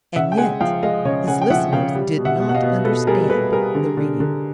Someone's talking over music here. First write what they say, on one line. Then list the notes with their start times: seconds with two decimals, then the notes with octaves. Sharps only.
And yet His listeners did not understand the reading.
0.16 C#3 E5 F#5
0.32 G5
0.38 G#3 F#5 G#5
0.60 F3 F5 G5
0.83 G#3 D#5 F5
1.05 C#3 C#5 D#5
1.27 C#3 F#5 G#5
1.42 G5
1.50 F3 E5 F#5
1.72 C#3 F5 G5
1.95 G3
2.18 B2
2.25 E5 F#5
2.40 B2
2.49 F#5
2.54 D#5 F5
2.62 B2
2.85 B2 A4 B4
3.07 G3 G#4 A#4
3.29 G3 A4 B4
3.52 G3 G#4 A#4
3.75 D3
3.97 D3
4.20 D3